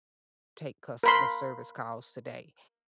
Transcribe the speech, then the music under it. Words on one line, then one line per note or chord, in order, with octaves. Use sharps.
take customer service calls today,
A#4 B5 C6